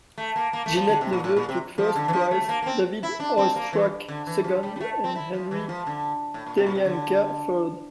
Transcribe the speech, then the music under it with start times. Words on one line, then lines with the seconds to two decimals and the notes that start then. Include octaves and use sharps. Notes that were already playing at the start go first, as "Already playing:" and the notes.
Ginette Neveu took first prize, David Oistrakh second, and Henri Temianka third.
0.18 A3
0.36 A#3
0.53 A#3
0.66 A3
0.77 F3
0.89 D3
1.01 C3
1.13 A#2
1.24 A2
1.36 A#2
1.49 C3
1.78 F3
1.96 D3
2.08 E3
2.13 F3
2.31 A3
2.42 A3
2.49 A#3
2.62 A#3
2.66 C4
3.03 E4
3.20 D4
3.38 C4
3.56 A#3
3.73 E3
4.08 D3
4.27 E3
4.44 F3
4.63 G3
4.76 G3
4.80 A3
5.04 C4
5.16 E4
5.33 F3
5.51 E3
5.69 F3
5.87 D3
6.34 A2
6.46 A#2
6.58 C3
6.66 A#2
6.75 C3
6.85 D3